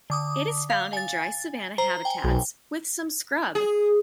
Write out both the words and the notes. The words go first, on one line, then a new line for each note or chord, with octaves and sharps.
It is found in dry savannah habitats, with some scrub.
D3 D6 D#6
F5
G#5 A6
C5 A#5
G5 G#5
B1
G#4